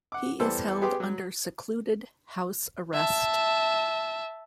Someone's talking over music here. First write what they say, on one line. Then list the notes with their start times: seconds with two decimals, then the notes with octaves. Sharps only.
He is held under secluded house arrest.
0.12 F#5 D6
0.40 E2 E3 G3 A4 C5 E6
0.81 B3 G4 G#4 C6 D6
1.00 F#3
2.94 E5 A5